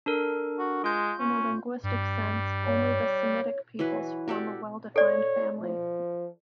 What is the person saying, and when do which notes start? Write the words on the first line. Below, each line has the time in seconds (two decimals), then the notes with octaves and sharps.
In a linguistic sense, only the Semitic peoples form a well-defined family.
0.06 D4 A4 A#4
0.59 F#4
0.84 G#3 F4 G6
1.19 C#4
1.83 G2 G3
2.66 C#5
3.79 E3 F#3 F#4 B4
4.28 F#4 G4 A4 D5
4.96 A4 C#5 D5
5.63 F3